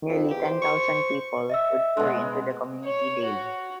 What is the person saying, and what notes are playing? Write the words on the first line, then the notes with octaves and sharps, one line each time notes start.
Nearly ten thousand people would pour into the community daily.
F2
E2 G4
C5
C#6
D#5 E5 E6
B2 G#3
C#5
F#4